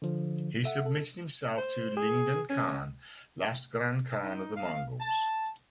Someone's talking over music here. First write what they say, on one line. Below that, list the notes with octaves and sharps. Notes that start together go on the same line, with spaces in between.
He submitted himself to Ligdan Khan, last grand khan of the Mongols.
D3 F3
A4 E5 F#5
A4
C5
G#4
C#4
D#4
F5
A5